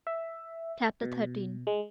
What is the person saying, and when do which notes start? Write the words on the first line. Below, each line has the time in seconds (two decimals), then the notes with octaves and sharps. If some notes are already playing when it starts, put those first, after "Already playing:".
Chapter XIII.
0.07 E5
1.02 B2
1.67 G#3